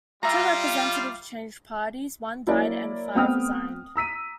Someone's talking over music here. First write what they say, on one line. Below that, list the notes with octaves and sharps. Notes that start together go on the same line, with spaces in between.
Two representatives changed parties, one died, and five resigned.
G3 F4 E5 A#5
F#3 A#3 E4 A#4 C#5 D5
A3 B3 C4 G5 D#6 F6
A#5 E6 B6 D#7